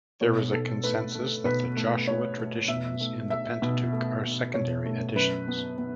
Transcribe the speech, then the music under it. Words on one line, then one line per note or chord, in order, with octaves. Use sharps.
There is a consensus that the Joshua traditions in the Pentateuch are secondary additions.
B2 C#5
B2 A4
A3 B4
A3
B2 B4
A3
A3 C#5
A3
B2 E5
A3
A3 E5
B2
A3
B2
B2 C#5
A3
F#2 B4
B3
B3